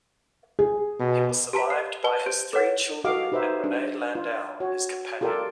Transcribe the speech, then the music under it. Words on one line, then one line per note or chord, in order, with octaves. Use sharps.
He was survived by his three children and Renee Landau, his companion.
G#4
B2
G4 B4 A5 A#5 B6
C7
B4 A5 G7
G4 C5 G6 D7
A4 B4 C#5 F#5
F#4 G4 A4 D#5 F5 D6
D#4 G4 B4 C5 E5
D4
F4
F#4 C#5
F4 G4 A4 A#4 D5 G5